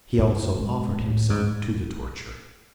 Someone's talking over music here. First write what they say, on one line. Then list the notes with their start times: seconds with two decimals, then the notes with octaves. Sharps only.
He also offered himself to the torture.
0.18 F#2
0.59 G#2
1.00 A2
1.30 G#2